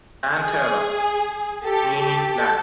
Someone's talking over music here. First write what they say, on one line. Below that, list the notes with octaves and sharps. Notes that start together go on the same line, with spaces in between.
And Terra, meaning land.
G#4
G4 A4
G4 A4
A4